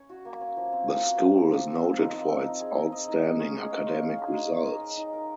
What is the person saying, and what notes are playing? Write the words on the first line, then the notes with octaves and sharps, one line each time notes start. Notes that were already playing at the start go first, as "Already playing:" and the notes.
The school is noted for its outstanding academic results.
Already playing: C#4 C#5
F#4
A#3
C#4
F3
C4
F3
F#4
F3
C4
F3
C4
F3
D#4
F3
C4
D#4
G#4
D#4
D#5
D#4
G#4
C#4
G#4
F5
C5
C#4
G#4
D#4
A#4
D#4
D#5
D#4
A#4